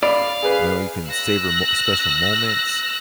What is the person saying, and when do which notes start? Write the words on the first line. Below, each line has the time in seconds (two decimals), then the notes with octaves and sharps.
you know, you can savor mo special moments
0.03 D5 F5 B5
0.43 G#4 B4
1.08 E6 F#6 A#6